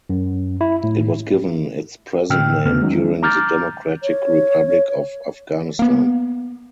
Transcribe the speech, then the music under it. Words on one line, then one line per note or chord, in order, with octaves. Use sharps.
It was given its present name during the Democratic Republic of Afghanistan.
F#2
E4
A2
A2 D3 G5 E6 F6
E2 C#3 A3 B3 F6
D#3 F#3 G#3 C#4 D#4
A#5 D6 F6 G6 A6
C#5
A#3 B3